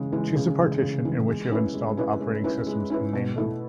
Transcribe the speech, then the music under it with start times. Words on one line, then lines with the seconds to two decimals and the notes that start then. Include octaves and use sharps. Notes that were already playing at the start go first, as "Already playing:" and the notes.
Choose the "partition" in which you have installed operating systems and name them.
Already playing: C#3 E3 G#3
0.13 E3 G#3
0.35 C#3
0.59 E3 G#3
0.81 C#3
1.05 E3 G#3
1.28 G#3
1.51 C#4 E4 B4
1.74 G#3
1.97 C#4 E4 B4
2.21 G#3
2.44 C#4 E4 B4
2.67 G#3
2.90 C#4 E4 B4
3.13 B2
3.36 A3 E4 A4